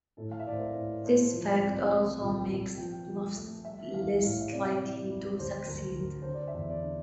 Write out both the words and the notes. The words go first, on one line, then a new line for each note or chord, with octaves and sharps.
This fact also makes bluffs less likely to succeed.
A2 A4
F5
E5
A2 D5
C5
A#4
A2
A3 C5
F3
D5
C2
A3
A#2
A#2
F3 G5
F3
A3
G3 E5
E3 F5
A2 F5
E5
C3 D5
E3
G3
D2 C5
D2 A#4
D2
D3 C5
D5
E5
E2
D5
D3